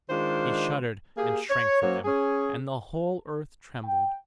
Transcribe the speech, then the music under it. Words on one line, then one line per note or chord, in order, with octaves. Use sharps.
He shuddered and shrank from them, and the whole earth trembled.
D#3 G#3 D4 F4 C5
A#3 G4 G#4
C#5
F#2 F#3 A#3 C5 C#5
C#4 G#4
G5